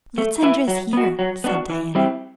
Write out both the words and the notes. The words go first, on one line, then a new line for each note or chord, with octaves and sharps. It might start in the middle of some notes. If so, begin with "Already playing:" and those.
"Let's undress here," said Diana.
A3
E4 B4 E5
F#3
B3 F#4
F#3
B3 D4 F#4
E3
G3 C4 E4 G4